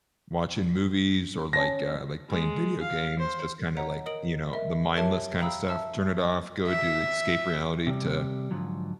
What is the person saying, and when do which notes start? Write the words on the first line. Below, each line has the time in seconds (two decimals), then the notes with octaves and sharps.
watching movies or, like, uh like, playing video games, just kinda, like, you know, the mindless kind of stuff. Turn it off, go do the escape reality, to
1.53 C#4 A5 A#6
2.29 G#3
2.81 F5
3.19 C5
3.77 C#5 D#5 F#5 A#5 B6
4.06 A#4 D#5 D#6 D7 F#7
4.53 A#4 D#5 E5
4.95 G4 A#4 C#5 E5 A5
5.40 F5 G5 A#5 B5 D#6 E6
5.68 E5 A5 E6
6.68 E5
7.87 C3 G3
8.51 G#2 D3 F3 F#3